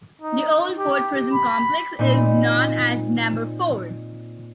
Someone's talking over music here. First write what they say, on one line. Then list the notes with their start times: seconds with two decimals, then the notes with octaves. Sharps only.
The Old Fort Prison complex is known as Number Four.
0.21 D#4
0.78 G4
1.33 B5
1.99 A#2 C4 D#4